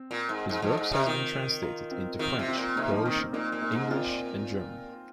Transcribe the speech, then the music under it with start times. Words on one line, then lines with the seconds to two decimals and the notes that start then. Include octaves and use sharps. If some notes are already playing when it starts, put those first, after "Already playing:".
His work has been translated into French, Croatian, English, and German.
Already playing: C4
0.11 A#2
0.29 G#2
0.49 G#2
0.62 F2
0.77 G#2
0.92 C3
1.06 D#3 C4 F4
1.62 F4 A#4
1.91 C4 F4
2.19 D#3 C4 F4
2.39 C3
2.48 C4 F4
2.58 A#2
2.76 C3 A#3 D#4
2.90 F3 A#3 D#4
3.04 D#3 C4
3.20 C4
3.33 A#2 A#3 D#4
3.52 A#2
3.62 A#3 D#4
3.72 G#2
3.90 A#2 C4 F4